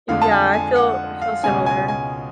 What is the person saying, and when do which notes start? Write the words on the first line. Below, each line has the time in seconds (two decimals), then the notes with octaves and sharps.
Yeah. I feel I feel similar.
0.08 F2 D3 G#3 D4 F5
0.22 A5
0.31 G#5
0.54 G#5
0.76 F#5
1.22 F5
1.43 C#2 B2 G#3 C#4 G#5
1.66 G#5
1.88 G#5